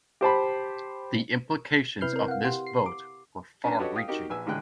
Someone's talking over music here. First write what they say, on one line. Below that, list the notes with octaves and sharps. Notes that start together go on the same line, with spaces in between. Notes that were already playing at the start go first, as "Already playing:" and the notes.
The implications of this vote were far-reaching.
G4 C5 A5 B5
C3 E4 B4 F6 G6 C7
C4 A#4
F5 F#5
G4 F#5 C6
C7
D6
C#4 D4 B4
F#4 G4 A4 B4 C#5 D#5
F5 G5 D#6
D#4 F#4 G4 A#4 D#5
A#1 B4 G#5 E6
A1 D3 G#3 G5 F#6